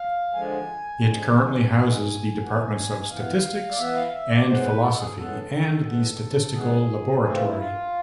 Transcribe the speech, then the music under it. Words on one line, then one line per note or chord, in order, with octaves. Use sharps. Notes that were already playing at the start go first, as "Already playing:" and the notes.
It currently houses the departments of Statistics and Philosophy and the Statistical Laboratory.
Already playing: F5
D3 F3 G#3 G#5
D3 F3 G#3
E3 B3 G#5
E3 B3
G#5
E3 B3 F5
D5
E3 B3 E5
F5
F5
E5
D5
A2 G#3 B3 C5
B4
A4
A4
G#4
A2 G#3 B3 A4
A2 G#3 B3
A2 G#3 B3 G#4
E3 A3 C4 G#4
F4
E4
F4